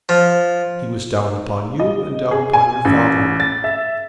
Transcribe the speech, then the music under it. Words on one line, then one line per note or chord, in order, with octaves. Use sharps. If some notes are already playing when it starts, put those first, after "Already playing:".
He was down upon you and down upon your father.
F3
D#5
G#4
G#5
A1
A6
E5